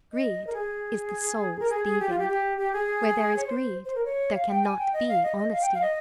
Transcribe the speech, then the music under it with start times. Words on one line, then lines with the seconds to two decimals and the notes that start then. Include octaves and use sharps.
Greed is the soul's thieving; where there is greed, there can not be honesty.
0.13 D#5
0.47 A#4
0.53 G#4
1.60 A#4
1.70 G#4
1.84 G#4
1.99 G4
2.10 F4
2.18 G4
2.29 G4
2.58 G4
2.73 G#4
3.36 C#5
3.46 C5
3.85 C5
3.95 A#4
4.05 C#5
4.34 F5
4.49 G5
4.64 G#5
4.78 G5
4.93 D#5
5.08 F5
5.23 D#5
5.37 D#5
5.52 F5
5.61 G5
5.74 F5
5.81 D#5